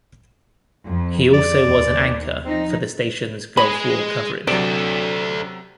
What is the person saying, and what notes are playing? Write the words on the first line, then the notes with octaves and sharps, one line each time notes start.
He also was an anchor for the station's Gulf War coverage.
F2
D5
D#2
F3 C4 D#4
G#3 G#4 B5
C3 F#3 A3 D4 D5